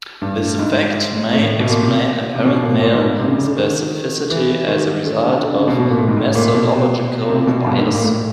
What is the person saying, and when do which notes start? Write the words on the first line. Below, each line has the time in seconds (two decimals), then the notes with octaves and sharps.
This effect may explain apparent male specificity as a result of methodological bias.
0.22 G2
0.58 G#2
1.33 A2
1.60 B2
1.70 A#2
1.83 C3
2.35 C3
2.45 B2
2.63 A#2
2.81 A#2
2.94 G#2
3.07 G#2
3.19 C3
3.28 C#3
3.38 C#3
3.47 D3
3.57 D#3
4.30 E3
4.68 D#3
5.05 D3
5.43 D3
5.55 C#3
5.68 B2
5.80 B2
5.90 A#2
5.99 A2
6.08 G#2
6.17 A2
6.35 A#2
6.55 B2
7.30 C3
7.47 B2
7.66 G2
7.76 G#2
7.84 A2
7.95 A#2
8.04 A2